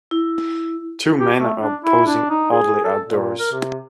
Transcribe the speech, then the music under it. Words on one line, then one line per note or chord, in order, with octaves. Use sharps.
Two men are posing oddly outdoors.
E4
G4
A3
D4
E4
D4
D#4
G#4
A4
A#2
A#4
C3